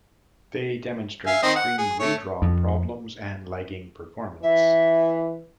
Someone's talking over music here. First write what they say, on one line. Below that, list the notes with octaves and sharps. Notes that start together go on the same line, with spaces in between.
They demonstrate screen redraw problems and lagging performance.
E5 F5 G#5
D#3 C4 D#5
F#5
G#4
A3 C#5
F2
E3 E5